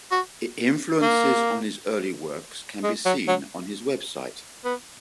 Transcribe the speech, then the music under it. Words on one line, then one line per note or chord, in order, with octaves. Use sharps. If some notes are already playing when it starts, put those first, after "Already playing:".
Influences on his early works can be seen on his website.
F#4
A#3
G#3
F#3
F#3
B3